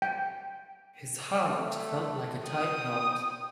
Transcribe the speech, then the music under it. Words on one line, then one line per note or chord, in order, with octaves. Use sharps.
His heart felt like a tight knot.
G5
A3
G5 D#6